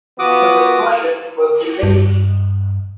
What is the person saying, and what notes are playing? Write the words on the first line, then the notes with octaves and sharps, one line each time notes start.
The project was delayed.
E3 B3 F4 F#4 D6 D#6
G2